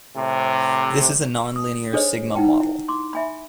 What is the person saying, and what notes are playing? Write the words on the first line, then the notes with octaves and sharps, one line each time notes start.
This is a non-linear sigma model.
A2 C3
D#6
D4 G#4 A4 C5 C#5 D#5
D#4 E4 F#5 G5 A5
E4
C6 D6
E5 G#5 B5